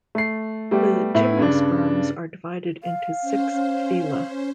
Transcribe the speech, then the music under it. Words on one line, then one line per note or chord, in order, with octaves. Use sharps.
The gymnosperms are divided into six phyla.
A3 C7
G3 A3 B3 G4
A2 B3 E4
G2 C#3 D4
F5
C#4 C5